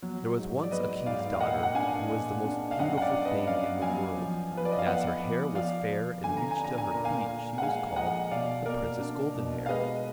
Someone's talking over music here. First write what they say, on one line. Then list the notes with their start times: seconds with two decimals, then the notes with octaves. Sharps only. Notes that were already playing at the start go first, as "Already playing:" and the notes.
There was once a King's daughter who was the most beautiful thing in the world, and as her hair was fair and reached to her feet she was called the Princess Goldenhair.
0.03 F#3
0.37 G#2
0.63 D5
0.71 F#3 B4 D#5
1.06 G#2 D5 F5
1.33 F5
1.40 A#2 D#5 F#5
1.63 F#5
1.75 D4 F5 G#5
2.10 A#2
2.44 D4
2.71 F5
2.79 F#2 D#5 F#5
2.98 F#5
3.01 D5 F5
3.13 D4
3.25 B4 D#5
3.47 F#2 D5 F5
3.82 F#3 F5 G#5
4.17 F3
4.51 F3
4.57 B4
4.65 D5
4.71 D#5
4.79 F5
4.86 B3 D#5 F#5
5.20 F3
5.54 F3 D5 F5
5.90 F3
6.24 D3 G#5
6.37 A#5
6.51 G#5
6.59 D4
6.64 A#5
6.78 G#5
6.91 A#2 A#5
7.04 F5 G#5
7.27 A#2
7.58 F#5
7.62 G#3 F5 G#5
7.96 F3 D#5 F#5
8.31 B2 D5 F5
8.65 A#3 A#4 D5
9.01 D4
9.35 B2
9.66 F5
9.69 G#3 B4 D#5